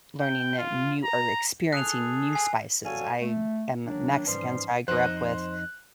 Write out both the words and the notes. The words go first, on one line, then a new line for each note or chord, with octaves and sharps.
learning that new, or experiencing new spices, I am Mexican, so I grew up with,
G5
F4
A#5
G#4 A4 F#6 F7
G#5 C7
F#4 A4 C#5 D5 F5 G#5
A3
D#3 F#3 A#3 D4
G#2 E3 F3 G3 C#4 C6
F2 D#4 C5 F#6